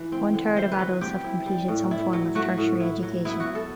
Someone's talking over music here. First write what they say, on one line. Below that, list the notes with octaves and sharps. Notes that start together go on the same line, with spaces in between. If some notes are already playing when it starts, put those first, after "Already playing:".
One third of adults have completed some form of tertiary education.
Already playing: E3
C4
D3
E4 C5
B4
F#3
C4 G4
E4
G3
A2
E4
F#3
A3 F#4
A2
E4
F#3
B3 E4
F#4
E4
A4